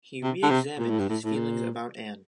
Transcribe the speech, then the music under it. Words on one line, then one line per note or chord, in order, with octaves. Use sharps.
He re-examines his feelings about Anne.
C3
D3
C3
A#2
A2
G2
A2
A2
A#2